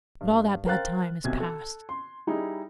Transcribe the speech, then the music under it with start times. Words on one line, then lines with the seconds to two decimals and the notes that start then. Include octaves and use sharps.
But all that bad time is past.
0.21 G2
0.66 A#4 C5 F5 G5 F#6 A6
1.24 B1 C3 G#6
1.40 A4
1.89 C6
2.27 G3 D#4 E4 G#4